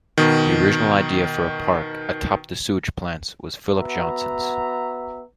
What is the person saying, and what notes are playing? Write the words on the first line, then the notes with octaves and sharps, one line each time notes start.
The original idea for a park atop the sewage plant was Phillip Johnson's.
B2 D#3
B3 F#4 E5 A#5